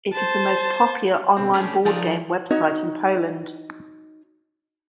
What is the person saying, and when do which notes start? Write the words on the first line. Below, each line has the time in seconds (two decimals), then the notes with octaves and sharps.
It is the most popular on-line board game website in Poland.
0.13 C5 A5
1.37 B2 D3 C4
1.53 A3 C#4 D4 G4 G#4
1.85 F3 D#4 A4 A#4 D5 D#5
2.51 D#4 F#4 C#5 D#5